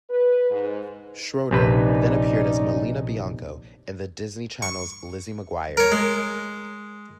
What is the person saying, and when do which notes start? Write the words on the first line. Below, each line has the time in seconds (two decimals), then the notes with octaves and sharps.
Schroeder then appeared as Melina Bianco in The Disney Channel's "Lizzie McGuire".
0.10 B4
0.51 G#2
1.51 A#1 C3 C#4 D#4 B4 D5
4.62 C#6
5.77 A#4 C#5
5.92 G#3